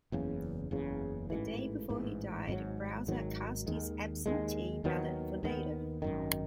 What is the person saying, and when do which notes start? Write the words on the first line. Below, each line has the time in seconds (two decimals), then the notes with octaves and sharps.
The day before he died, Brower cast his absentee ballot for Nader.
0.12 F#1 E2 C#3
0.71 F#1 E2 C#3
1.30 A1 G#2 E3
1.89 A1 G#2 E3
2.48 G#1 G#2 D#3 F#3
3.07 G#1 G#2 D#3 F#3
3.67 D#2 D#3 G#3
4.26 D#2 D#3 G#3
4.84 D#2 D#3 F#3 B3
5.43 D#2 D#3 F#3 B3
6.02 G#1 F#2 D#3